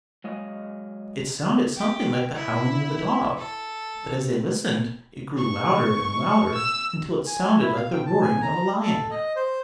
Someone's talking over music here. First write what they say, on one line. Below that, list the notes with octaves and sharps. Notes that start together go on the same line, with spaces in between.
It sounded something like the howling of a dog; but as they listened, it grew louder and louder, until it sounded like the roaring of a lion.
F#3 G#3 D#5 F5
G4
E4
A4
C#6
E6
G#5
E4
F5
G5
A5
G#5
A#5
A4
D#5
C5